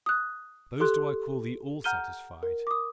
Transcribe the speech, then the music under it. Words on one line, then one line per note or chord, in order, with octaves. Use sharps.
Those do I call the all-satisfied.
D#6 F#6
G4 A4 C6 F#6
F#5 A#5 F6 G6 D#7 G7
A#4
D6 D#6